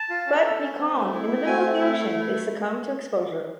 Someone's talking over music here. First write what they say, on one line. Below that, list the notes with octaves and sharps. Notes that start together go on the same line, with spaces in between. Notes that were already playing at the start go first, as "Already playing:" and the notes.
But becalmed in the middle of the ocean, they succumb to exposure.
Already playing: A5
F4
C#4
A4
C#4
C4
A3
E4
A3
C4 G#5
A3
E4
A3